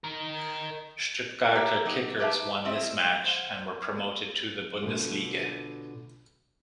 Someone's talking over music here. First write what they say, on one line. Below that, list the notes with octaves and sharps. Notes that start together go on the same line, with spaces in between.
Stuttgarter Kickers won this match and were promoted to the Bundesliga.
D#4 A#4
G4 A4 A#4 E5
F#3 A#3 D#4 G4
D#4 G4 B4 E5 F5 A5
G3 A3 C4 E4 D#5 E5
C5 F5 F#5
B2 D3 A3 F4